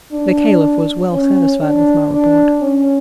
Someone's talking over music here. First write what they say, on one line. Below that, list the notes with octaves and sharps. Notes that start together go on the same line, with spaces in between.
The Caliph was well satisfied with my report.
D4
C#4
D4
D4
C#4